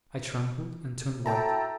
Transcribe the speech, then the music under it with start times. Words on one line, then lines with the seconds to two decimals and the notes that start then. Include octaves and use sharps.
I trembled, and turned white.
1.26 E4 F#4 A4 G5 A5 A#5